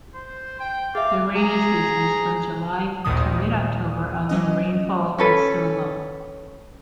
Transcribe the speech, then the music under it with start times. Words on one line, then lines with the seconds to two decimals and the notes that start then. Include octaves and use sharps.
The 'rainy season' is from July to mid-October, although rainfall is still low.
0.15 C5
0.60 G5
0.95 G#4 E5 F5 D6
1.36 G#4 A#5
3.05 A#1 D#2 A#2 D#3 D#6
4.29 F#3 C#4 D#5
5.18 C#4 A4 B4